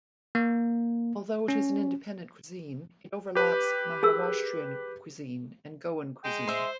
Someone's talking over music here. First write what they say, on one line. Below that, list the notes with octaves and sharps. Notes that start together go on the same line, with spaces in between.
Although it is an independent cuisine, it overlaps Maharashtrian cuisine and Goan cuisine.
A#3
C#4
G4 B4
G#4 A#4 E6
G#3 G5
C5 E5 C6